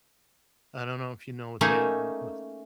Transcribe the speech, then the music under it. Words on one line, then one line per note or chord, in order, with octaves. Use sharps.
I don't know if you know what they, uh, v v
A3 A#3 C#4 D#4 G#4 E5